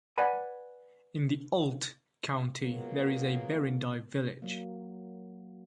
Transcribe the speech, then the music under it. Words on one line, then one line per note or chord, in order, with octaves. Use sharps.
In the Olt county there is a Berindei village.
B4 D5 F#5 G#5 B5
F#3 G#3 A#3 B3 F4 A#4
F#3 A#3